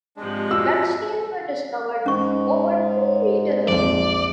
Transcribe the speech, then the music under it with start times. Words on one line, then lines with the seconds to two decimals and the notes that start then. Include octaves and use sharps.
Bloodstains were discovered over two meters away.
0.17 G#2 C3 F3 G#3 D4
0.51 F4 F#4 E6
2.06 G#2 C#4 C#6
3.68 A#1 F2 D5